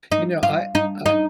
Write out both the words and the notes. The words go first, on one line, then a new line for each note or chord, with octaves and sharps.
You know, I I
D#4
F4
D#4
D#4